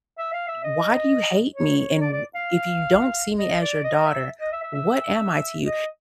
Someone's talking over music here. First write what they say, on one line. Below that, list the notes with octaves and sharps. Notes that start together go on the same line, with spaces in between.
why do you hate me? And wh if you don't see me as your daughter, what am I to you?"
E5
F5
E5
D#5
C#5
C#5
D5
D5
F5
D#5
D5
D#5
E5
D#5
E5
E5
E5
D#5